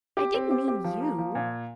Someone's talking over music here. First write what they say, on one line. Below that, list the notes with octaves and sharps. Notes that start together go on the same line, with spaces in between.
'I didn't mean you!
G4
C4
G4
G4
F3
A#3
F3
A#2